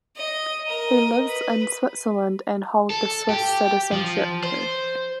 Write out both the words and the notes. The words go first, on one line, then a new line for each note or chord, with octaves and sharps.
He lives in Switzerland and hold the Swiss citizenship, too.
D#5
A#4 D#5
B4
A4
G4
F3
C5